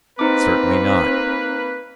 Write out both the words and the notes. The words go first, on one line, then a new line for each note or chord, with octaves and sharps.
Certainly not.
A#3 C4 D#4 B4 D6